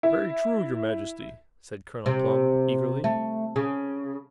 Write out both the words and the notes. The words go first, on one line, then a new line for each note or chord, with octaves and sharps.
"Very true, Your Majesty," said Colonel Plum, eagerly.
E4
C3
A3
C#3